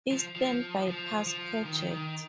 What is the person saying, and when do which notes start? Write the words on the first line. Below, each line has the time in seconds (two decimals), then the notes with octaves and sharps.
Eastern bypass project.
0.12 F3
0.36 F3
0.88 F3
1.26 F3
1.65 D#3
1.91 D#3